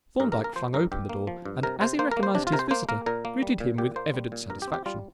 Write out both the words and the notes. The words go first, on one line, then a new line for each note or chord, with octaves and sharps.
Thorndyke flung open the door, and, as he recognized his visitor, greeted him with evident satisfaction.
G2 A#4
A#4
A#3
A#4
F3 C5
G2 A#4
G2 G4
A#3
F3
G2
C3 A#4
C3 C5
A#3 C5
A#4
A#3
C5
C3 D4
F4
C3 A#4
C5
A#3 C5
A#3 A#4
A#2 A#4
A#3
G3
A#2
A#2 G4
A#3 C5
G3
A#2
G2 A#4
G4
C4
G4
G3 F4